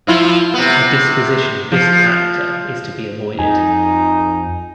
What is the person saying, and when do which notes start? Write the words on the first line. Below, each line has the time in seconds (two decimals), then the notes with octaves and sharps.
A disposition of this character is to be avoided.
0.07 F3 E4 F4
0.54 C3 B3
1.72 F3
3.39 F2 D#4 G#5